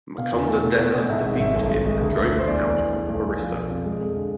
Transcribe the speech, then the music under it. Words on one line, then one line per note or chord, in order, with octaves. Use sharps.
Mukunda Deva defeated him and drove him out of Orissa.
B2 F5
E2
A3
B2
B2
B2
G#2 E5
G#1 E5
G#1 E5
B1
B1
G#3
D2
A3
A3
C5
E2 D5
E2
E2
A3
B1
B1
F3
F3
F2
G#3
F2
D3